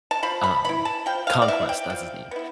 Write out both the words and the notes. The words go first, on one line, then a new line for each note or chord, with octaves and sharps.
Um, Conquest, that's his name.
A5
F3 B5
B5
B3 E4 B5
A5
F3 G5
F5
D5
B3 E4 E5
G5
F3
B3 E4